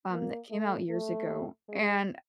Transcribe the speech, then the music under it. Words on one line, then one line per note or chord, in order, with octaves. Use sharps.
um, that came out years ago, and,
A#3
A3
A3
G#3